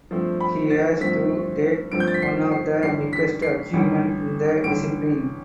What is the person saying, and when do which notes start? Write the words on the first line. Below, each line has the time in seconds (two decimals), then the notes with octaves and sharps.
He has to date one of the biggest achievements in the discipline.
0.11 G2 F3 A3 C4
0.40 B5
0.70 A6
1.01 G2 F3 A3 C4 B6
1.92 G2 F3 A3 C4 D7
2.00 G6
2.08 A6
2.14 B6
2.22 C7
2.52 C7
2.83 A1 G2 D3 G3 C7
3.13 B6
3.42 C7
3.73 A1 G2 D3 G3
4.64 A1 G2 D3 G3 D7